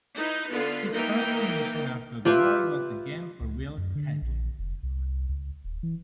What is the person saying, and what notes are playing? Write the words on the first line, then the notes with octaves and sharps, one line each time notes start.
His first commission after the war was again for Will Catlin.
D#4 E4 B4
D3 B3 F4 B4
E3 A#3 D#4 A#4 G5
F4 G4 B4 E5
C#2
F#2
D3
A#1
F1
C2
C#2
D#1
E3